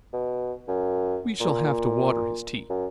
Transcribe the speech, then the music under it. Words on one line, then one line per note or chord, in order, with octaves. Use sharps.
"We shall have to water his tea."
B2
F#2
A#2
F#2